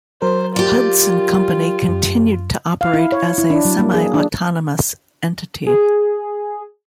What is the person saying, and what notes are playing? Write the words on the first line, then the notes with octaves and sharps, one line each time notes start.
Hudson Company continued to operate as a semi-autonomous entity.
F#3 A#4 C5
F4 G4 D5
F#2
F5
E4
C#5
E4
D4
F#3
A#3
G#4
D4
G#4